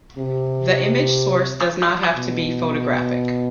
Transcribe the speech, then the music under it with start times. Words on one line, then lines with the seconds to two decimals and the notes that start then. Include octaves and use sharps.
The image source does not have to be photographic.
0.18 C3
2.15 B2